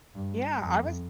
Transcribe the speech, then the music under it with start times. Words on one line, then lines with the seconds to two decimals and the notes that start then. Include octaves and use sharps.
Yeah, I was
0.15 G2
0.62 F2